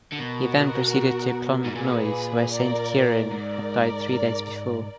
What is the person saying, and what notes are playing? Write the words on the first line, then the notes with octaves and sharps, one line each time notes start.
He then proceeded to Clonmacnoise, where Saint Cieran had died three days before.
D3
B2 F#4 A#4
G#2
A#2 G#4 B4
A#4 D5
G#2 A#4 D5